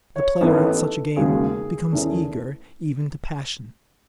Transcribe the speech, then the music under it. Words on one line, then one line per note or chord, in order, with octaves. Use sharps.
The player at such a game becomes eager, even to passion.
C#5
A1 A2 E3 B3 D#4 A4
B4
A4
E1 D#2 C#3 F#3 G#4
E2 D#3 A3 C#4